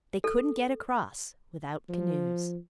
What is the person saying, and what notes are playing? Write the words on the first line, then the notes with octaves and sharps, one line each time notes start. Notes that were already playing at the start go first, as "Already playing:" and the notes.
They couldn't get across without canoes.
A4
F3